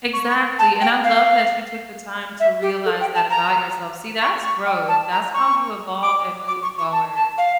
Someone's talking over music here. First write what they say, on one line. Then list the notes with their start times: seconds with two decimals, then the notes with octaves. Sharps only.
Exactly. And I love that you took the time to realize that about yourself. See, that's growth. That's how you evolve and move forward,
0.13 C#6
0.29 C#6
0.59 A5
0.81 G5
1.04 F5
2.40 E5
2.62 G4
2.86 A4
3.00 G5
3.15 A5
3.30 A#5
4.21 C#6
4.44 C#6
4.66 G5
4.89 A5
5.12 A#5
5.34 C#6
6.02 D6
6.48 D6
6.63 C#6
6.78 C#6
6.92 A5
7.15 A5
7.38 F5